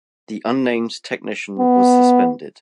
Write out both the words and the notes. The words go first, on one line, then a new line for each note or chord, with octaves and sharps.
The unnamed technician was suspended.
B3